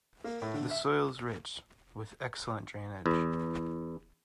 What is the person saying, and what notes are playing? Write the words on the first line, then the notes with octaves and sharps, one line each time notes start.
The soil is rich, with excellent drainage.
A#3
A2
D3
E5
E2